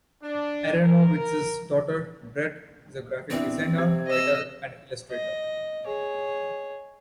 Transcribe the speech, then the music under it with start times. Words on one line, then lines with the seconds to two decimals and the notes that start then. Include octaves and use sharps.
Aronowitz's daughter, Brett, is a graphic designer, writer and illustrator.
0.23 D4
0.84 A#4
3.30 E2 B3 C4 D4 E4
3.78 C3 G#6
4.07 D#5 E6
5.10 D#5
5.86 G#4 C#5